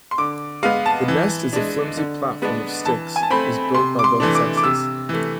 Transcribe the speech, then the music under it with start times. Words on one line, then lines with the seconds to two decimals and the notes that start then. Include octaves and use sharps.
The nest is a flimsy platform of sticks is built by both sexes.
0.11 C6
0.18 D3 D6
0.63 G#3 B3 F5
0.86 A5
1.08 E3
1.53 G#3 D4
1.97 D3
2.42 G#3 B3 D4
2.85 E3 A5
3.16 G#5
3.23 A5
3.30 A3 C4 B5
3.74 C3 C6
3.99 D6
4.04 C6
4.20 E3 A3 D4
4.35 D6
4.57 D6
4.63 C3 E6
5.09 E3 A3